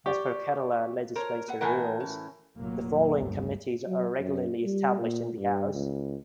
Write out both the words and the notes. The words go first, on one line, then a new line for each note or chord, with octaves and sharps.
As per Kerala Legislature Rules, the following committees are regularly established in the house.
G4 D5 C#6
A#4 C5 C#5
B4 E5 F#5
A2 E3 A#4 F#5 G#5
C#4
F1 A#2 F#3 A#3
G1 D2 G3
F#3
F#2
G3
A#2
G2
C#2